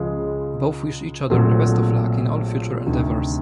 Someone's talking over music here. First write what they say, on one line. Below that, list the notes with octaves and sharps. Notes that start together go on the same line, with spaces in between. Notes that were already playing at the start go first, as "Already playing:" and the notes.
Both wish each other the best of luck in all future endeavors.
Already playing: C#2 C#3 F3 G#3
A#1 A#2 F#3 A3 C4
D2 C3 D#3